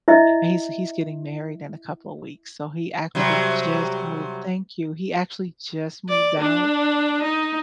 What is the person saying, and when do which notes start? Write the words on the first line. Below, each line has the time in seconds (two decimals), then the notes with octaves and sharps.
and he's he's getting married in a couple of weeks so he actually just moved Thank you. He actually just moved out
0.08 E4 D#5 E5
3.15 C3 F#3 G3
6.09 D5
6.40 D4
7.23 D#4